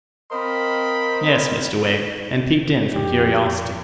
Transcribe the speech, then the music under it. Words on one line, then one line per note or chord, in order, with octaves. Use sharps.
'Yes, Mr Wegg, and peeped in from curiosity.'
C4 A#4 C5 D#5 F5 B5
F2 G4